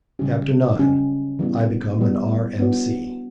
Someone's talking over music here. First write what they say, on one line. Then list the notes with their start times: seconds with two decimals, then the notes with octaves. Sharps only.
Chapter Nine--I Become an R. M. C.
0.19 C#3 G3 C#4 G4
0.79 C#3 G3 C#4 G4
1.39 E3 G3 B3
1.98 E3 G3 B3
2.59 B3 D4 F#4 C#5